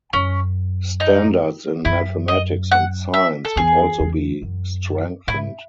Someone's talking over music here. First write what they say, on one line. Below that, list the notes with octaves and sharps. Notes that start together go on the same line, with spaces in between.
Standards in mathematics and science would also be strengthened.
F#2 C#4
D#4
F#2 E4
D#5
F#5
E5
A4
E2 G#4
E2
F#2
G#2 E4